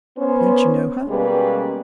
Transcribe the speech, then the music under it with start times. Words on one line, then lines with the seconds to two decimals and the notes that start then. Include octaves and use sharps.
"Don't you know her?"
0.17 B3 C#4 C5
1.08 B2 G3 G#3 A#3 C#4 B4